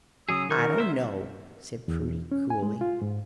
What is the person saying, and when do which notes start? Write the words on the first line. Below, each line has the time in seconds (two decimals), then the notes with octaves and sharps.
"I don't know," said Prudy, coolly.
0.29 C#3 F#3 G#4 D#6 E6
0.49 D#3 A#4 C#6
0.78 C5 E5
1.88 E2
2.31 C#4
2.50 G#5
2.62 G#3
2.81 F4
3.02 G#2